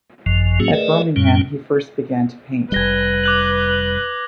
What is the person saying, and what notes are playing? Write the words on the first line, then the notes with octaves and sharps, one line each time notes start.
At Birmingham he first began to paint.
G#1 F#2 F3
A2 F#3 A#3 C#4 F#4 G#4
A3 G#4 A#4 B4 D5 D#5
F#2 A#2 G3 C#4
F1 G3 B4 G#6 A#6 G7
D6 F#6 F#7